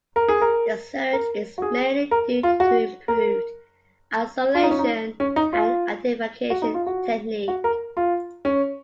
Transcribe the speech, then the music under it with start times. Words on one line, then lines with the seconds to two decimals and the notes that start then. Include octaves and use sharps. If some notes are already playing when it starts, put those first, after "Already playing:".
The surge is mainly due to improved isolation and identification technique.
0.16 A#4
0.29 G#4
0.42 A#4
1.13 A#4
1.58 F#4
1.62 G#4
2.11 A#4
2.43 F4
2.60 F#4
3.08 A#4
4.55 F4
4.63 D#4
4.71 C#4
4.79 D#4
5.20 C#4
5.36 D#4
5.53 F4
6.50 F#4
6.62 D#4
6.74 F4
6.86 F#4
7.48 F#4
7.64 A#4
7.97 F4
8.45 C#4